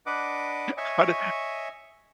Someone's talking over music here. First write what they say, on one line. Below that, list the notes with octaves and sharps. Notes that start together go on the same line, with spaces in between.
How did
D4 B4 D#5 F#5 D6
C#5 D#5 E5 G#5 C#6